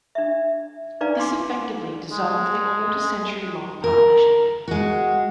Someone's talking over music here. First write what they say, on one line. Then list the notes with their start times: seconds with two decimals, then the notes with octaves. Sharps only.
This effectively dissolved their quarter century-long partnership.
0.15 D4 E5
1.01 D4 D#4 B4 D5 F5 A#5
1.17 F5 G#5 C6 D6
2.11 G#3
3.84 A#4
4.68 G#3 F#4